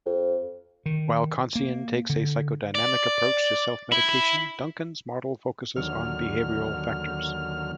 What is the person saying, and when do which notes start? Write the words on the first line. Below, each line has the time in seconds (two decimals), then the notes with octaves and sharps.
While Khantzian takes a psychodynamic approach to self-medication, Duncan's model focuses on behavioral factors.
0.06 F2
0.86 D#3
1.55 A#3
2.10 D3
2.75 D5
3.92 E4
5.76 D#2 D3 F#3 F6